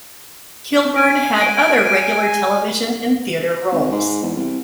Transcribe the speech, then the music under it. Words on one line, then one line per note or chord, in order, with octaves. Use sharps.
Kilburn had other regular television and theatre roles.
G#5 D7
G#1
G#2
E2
C2